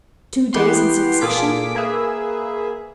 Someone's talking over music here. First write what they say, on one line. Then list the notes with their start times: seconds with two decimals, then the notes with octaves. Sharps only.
Two days in succession!
0.53 E3 B3 G4 F#5 C6
1.21 A#2 F4 G#4 A4 D6 B6
1.75 A#3 G#4 B4 E5